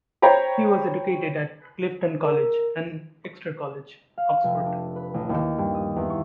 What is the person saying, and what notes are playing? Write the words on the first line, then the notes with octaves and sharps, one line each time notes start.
He was educated at Clifton College and Exeter College, Oxford.
C5 C#5 G5 A#5 B5
A#4
F5
F1
D4
B4
A1
D#2
G2
D#6
E2
C#6